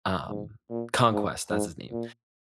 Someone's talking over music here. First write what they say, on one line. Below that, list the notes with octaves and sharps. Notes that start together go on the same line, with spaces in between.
Um, Conquest, that's his name.
G#2
A#2
G#2
G#2
A#2